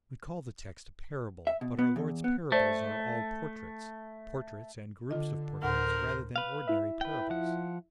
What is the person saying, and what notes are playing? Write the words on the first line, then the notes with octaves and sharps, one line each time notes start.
We call the text a parable, but our Lord's parables are all portraits--portraits and groups of portraits, rather than ordinary parables.
E5
B2
B3
E2
B3
A3 C5 D5
D3 F4 D#5
D2 A2 A#4 C5 F#5
B4 F5
E4 E5
B4 G5
F3 F#5